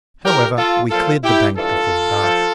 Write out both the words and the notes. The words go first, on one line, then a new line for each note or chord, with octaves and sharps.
However, we cleared the bank before dark.
A2 E3 G4 A#4
F4 A4
A#2 F3 F4 A4
E4 G4
G2 E3 F4 A4
F3